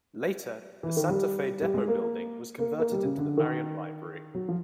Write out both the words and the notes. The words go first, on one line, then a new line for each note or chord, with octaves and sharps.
Later, the Santa Fe depot building was converted into the Marion Library.
E3
D#3
G3
G3
G#3
A#3
A#3
A#3
G3
C#3
D3
D#3
F#3
F3